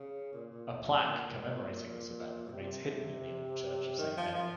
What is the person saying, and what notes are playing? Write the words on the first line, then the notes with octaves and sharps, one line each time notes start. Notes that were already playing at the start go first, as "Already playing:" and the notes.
A plaque commemorating this event remains hidden in the old church of Saint Mary.
Already playing: C#3
A#2
A#2
A2
A#2
A#2
C3
D#3
F3
F3